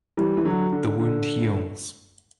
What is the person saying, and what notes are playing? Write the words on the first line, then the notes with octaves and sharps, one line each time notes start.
The wound heals.
E3 G3
E3
D3 F#3
D3
D3